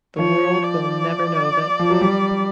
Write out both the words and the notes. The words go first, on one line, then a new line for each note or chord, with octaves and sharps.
The world will never know of it.
F3 C#5
D5
F3
F#3
G3